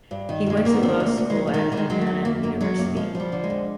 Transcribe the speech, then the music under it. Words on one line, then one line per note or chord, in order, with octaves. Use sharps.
He went to law school at Havana University.
G2
D#3
G2 G#3
A3
D#3 A#3
B3
D3 C4
D2
A#3
D2
G#3
F#3
A3
D#3 G#3
D#3 G3
G#3
F#3 G#3
A3
E2
F#2 A#3
F#2 A#3
F#3 G#3
F#2 A#3
F3 G#3
F3
G3
D3
G#3
F2